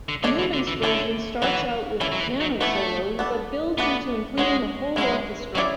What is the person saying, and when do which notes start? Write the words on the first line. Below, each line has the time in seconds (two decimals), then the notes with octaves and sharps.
Newman's version starts out with piano solo, but builds into including a whole orchestra.
0.09 D3
0.23 D3 G#3 D4 A4 C#5
0.39 E3
0.53 D3
0.67 E3
0.82 D3 C#4 E4 A4 C#5
1.42 E3 F#3 B3 F#4 C#5
2.00 E3 C#4 E4 A4
2.12 F#3
2.20 E3
2.40 F#3
2.61 E3 A3 B3 E4 A4
3.19 B3 D4 A4
3.78 A3 B3 D4 F#4
4.38 G#3 C#4 F#4 C#5
4.96 F#3 G#3 A3 C#4 E4
5.55 F#3 C#4 E4 G#4 D5